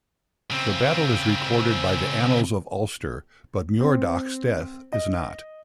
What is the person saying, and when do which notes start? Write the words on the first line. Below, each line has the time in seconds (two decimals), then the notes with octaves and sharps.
The battle is recorded by the Annals of Ulster, but Muiredach's death is not.
0.52 C#3 C4
3.81 C4
4.93 D#5